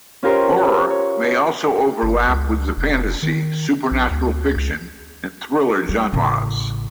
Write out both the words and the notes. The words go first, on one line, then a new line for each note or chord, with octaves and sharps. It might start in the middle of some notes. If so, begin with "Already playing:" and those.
Horror may also overlap with the fantasy, supernatural fiction and thriller genres.
C#4 F4 G4 A#4 C5 C#5
C#5
G1
C#2
F1
D#3
A#1
D2
C#2
G3
A1 C#3